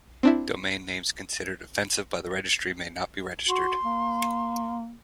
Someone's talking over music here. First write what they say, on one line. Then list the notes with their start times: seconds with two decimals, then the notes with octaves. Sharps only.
Domain names considered offensive by the registry may not be registered.
0.23 C4 D4 E4
3.49 F#4 C6
3.85 A#3